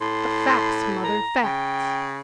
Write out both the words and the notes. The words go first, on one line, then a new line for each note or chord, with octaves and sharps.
"But facts, mother, facts!"
A2 C6
A#5
C#3 G5